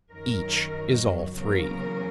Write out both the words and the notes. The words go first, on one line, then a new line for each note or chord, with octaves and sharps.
Each is all three.
F#2 D#3 F#3 A#4
E2 C#3 F#3 A#3 A#4